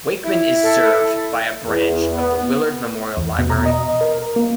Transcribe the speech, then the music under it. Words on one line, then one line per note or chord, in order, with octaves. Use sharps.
Wakeman is served by a branch of the Willard Memorial Library.
E4
A4
E2
B3
E2
B2
A#5
D#5
A#4
A#3